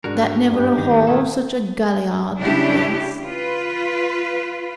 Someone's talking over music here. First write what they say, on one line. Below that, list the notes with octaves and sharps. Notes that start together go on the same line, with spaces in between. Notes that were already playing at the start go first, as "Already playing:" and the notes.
'That never a hall such a galliard did grace.
G#2 G#3 D4 F#4 A#4
G2 G4
D#3 D#4
B2 D#3 A3 E4 A4
C#3 D4 E4 G4
F4 B4